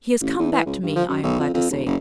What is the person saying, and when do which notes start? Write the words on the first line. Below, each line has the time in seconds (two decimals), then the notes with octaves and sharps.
He has come back to me, I am glad to say.
0.22 A1
0.39 E2
0.52 E3
0.66 C#2
0.83 G2
0.96 F3
1.08 F#2
1.23 B1
1.40 F2
1.54 F2
1.71 D#1
1.86 F#1